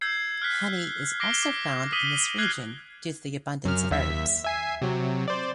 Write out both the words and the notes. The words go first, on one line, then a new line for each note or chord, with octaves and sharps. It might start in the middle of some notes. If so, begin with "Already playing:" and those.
Honey is also found in this region, due to the abundance of herbs.
E6 G6 G#6 C7
F6 F#6 B6 C7
D6 A#6 C7 D7 G7
D6
D#6 B6 D#7 F#7 G7
F6 F#6 G#6 C7 F#7 G7
F#2 F6
D#2 E5 B6
E5 G#5 C7
C3 F#3
C5 D5